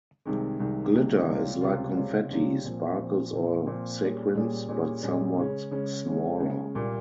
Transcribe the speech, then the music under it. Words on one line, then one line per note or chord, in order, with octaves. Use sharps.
Glitter is like confetti, sparkles, or sequins, but somewhat smaller.
C2 C3 D#3 G#3
C2 C3 D#3 G#3
C2 C3 D#3 G#3
C#2 C3 G3 C#4 F4
C#2 C3 G3 C#4 F4
C#2 C3 G3 C#4 F4
C#2 C3 G3 C#4 F4
A#2 F3 C4
A#2 F3 C4
A#2 F3 C4
A#2 F3 C4
A#2 G3 C#4 G#4
A#2 G3 C#4 G#4
A#2 G3 C#4 G#4
A#2 G3 C#4 G#4
C#3 G#3 C#4
C#3 G#3 C#4
C#3 G#3 C#4
C#3 G#3 C#4
C2 A#2 G3 A#3